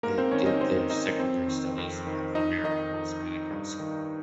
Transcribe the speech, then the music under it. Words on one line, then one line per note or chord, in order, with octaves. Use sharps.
They did their secondary studies at the American Hispanic High School.
G#2 A#3 A#4
C4 C5
D#3 C#4 C#5
D#4 D#5
G#2 C4 C5
D#3 D#4 D#5
F2 C4 C5
D#3
F2
D#3
F2 D#4 D#5
D#3 D#4 D#5
F2
D#3
G2
D#3